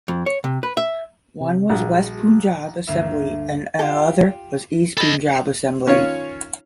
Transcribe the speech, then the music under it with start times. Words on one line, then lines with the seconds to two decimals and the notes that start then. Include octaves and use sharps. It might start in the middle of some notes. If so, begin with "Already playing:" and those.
One was West Punjab Assembly and other was East Punjab Assembly.
0.08 F2
0.26 C#5
0.44 C3
0.63 B4
0.77 E5
1.41 C3
1.70 A#1 G3 F#4 G#4
2.87 G1 D2 A#3 A#4 E5 E7
3.79 F4 G4 A4
4.97 A4 D#5 B5 D#6
5.87 D#3 C#4 F4 C#5